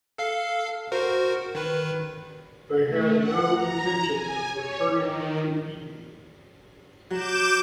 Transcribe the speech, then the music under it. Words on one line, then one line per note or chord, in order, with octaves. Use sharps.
They had no intention of returning to Evie.
A4 F5 C7
F#4 A#4 C5
D#3 B4
A3
F#5
A#5
G#5
C#5
D#3
F#3 D6 G6 E7